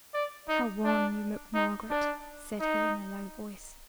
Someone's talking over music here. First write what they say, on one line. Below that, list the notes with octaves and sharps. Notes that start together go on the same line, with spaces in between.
'How wan you look, Margaret!' said he in a low voice.
D5
D#4
D4
D#4
D4
D#4